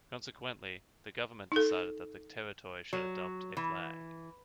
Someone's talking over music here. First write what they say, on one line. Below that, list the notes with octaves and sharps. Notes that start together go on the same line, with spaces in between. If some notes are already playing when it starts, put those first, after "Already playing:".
Consequently, the government decided that the Territory should adopt a flag.
D#4 A4
F#3
E3